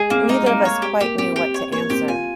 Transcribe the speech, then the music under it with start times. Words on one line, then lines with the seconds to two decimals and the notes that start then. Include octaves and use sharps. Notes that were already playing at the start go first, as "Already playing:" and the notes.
Neither of us quite knew what to answer.
Already playing: G#3 G#4
0.10 A#3 C4
0.29 G#3 D#4
0.41 G3
0.46 A#3
0.53 G#3
0.65 C#5
0.82 G4
1.00 A#3 G4
1.18 C4 G4
1.36 G4
1.54 C#5
1.72 A#3 C#5
1.90 C4 G4
2.08 F4 G#5